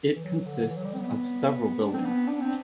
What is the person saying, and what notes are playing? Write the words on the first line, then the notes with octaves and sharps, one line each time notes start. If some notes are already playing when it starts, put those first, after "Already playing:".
It consists of several buildings.
E3
F#3
D3
E3
F#3
G3
C4
B3
D4
C4
B3
D4
C4